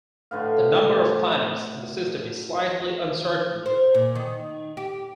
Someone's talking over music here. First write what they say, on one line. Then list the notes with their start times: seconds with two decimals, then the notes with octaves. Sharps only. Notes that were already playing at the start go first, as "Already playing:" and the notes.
The number of planets in the system is slightly uncertain.
0.31 A2 D3 B4 F5
3.66 C5
3.94 A#2
4.15 D#3
4.77 G4